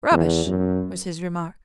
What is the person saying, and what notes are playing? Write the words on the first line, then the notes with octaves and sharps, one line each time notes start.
"Rubbish," was his remark.
E2
F#2